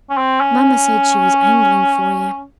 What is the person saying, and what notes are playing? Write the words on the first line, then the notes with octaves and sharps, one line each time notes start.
Mamma said she was angling for you.
C#4
C4
C#4